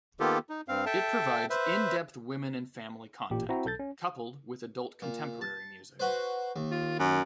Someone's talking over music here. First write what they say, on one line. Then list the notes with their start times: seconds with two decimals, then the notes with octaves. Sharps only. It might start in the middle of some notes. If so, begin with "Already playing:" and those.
It provides in-depth women and family content, coupled with adult contemporary music.
0.20 D#3 A#3 B3 F4 G4 A4
0.49 D#4
0.68 G2 C4 F5
0.86 A4 E5 G5 A5
1.50 B4 C5 E5
3.30 A1 A#2 G4
3.49 C4 E4 F#4 A#5
3.65 B1 A4 G6 A6
3.79 C#4
5.02 A#2
5.41 A5
6.00 F#4 B4 C5
6.56 D#2
6.71 F4
6.99 F#2